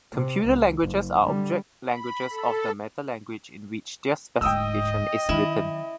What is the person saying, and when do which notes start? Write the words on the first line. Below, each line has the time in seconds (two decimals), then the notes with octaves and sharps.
Computer languages are object languages of the metalanguage in which their specification is written.
0.14 C3
0.45 C#2
0.81 F#1
1.24 D3 G3
1.87 B5
2.30 A4
4.41 D1 G#2 D#5 G5 D#6 E6
5.29 D#3 F#3 E4